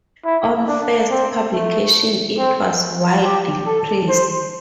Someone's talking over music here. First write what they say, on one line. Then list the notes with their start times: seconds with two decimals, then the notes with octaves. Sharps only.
On first publication it was widely praised.
0.25 E4
0.68 D4
1.10 C4
1.53 A3
2.38 C4
3.23 G4
3.66 A4
4.08 C5